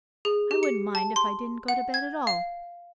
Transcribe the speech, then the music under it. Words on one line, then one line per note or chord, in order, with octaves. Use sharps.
"I wouldn't mind if I didn't go to bed at all."
G#4
G4
C#7
A5
C6
F#5
G#6
F5